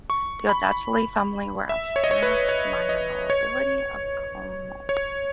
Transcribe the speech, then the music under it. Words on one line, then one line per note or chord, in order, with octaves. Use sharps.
The Odescalchi family were entrepreneurs with the minor nobility of Como.
C#6
B5
E5
C#5
D#5
C#5
B4
C#5
D#5
C#5
C#5